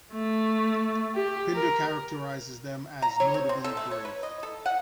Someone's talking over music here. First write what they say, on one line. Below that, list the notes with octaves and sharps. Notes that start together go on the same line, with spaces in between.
Pindar characterizes them as notably brave.
A3
G4
A#4
A#5
C#5
C4
C4
A4
A3
C#5
B4
D#5
A4
F#5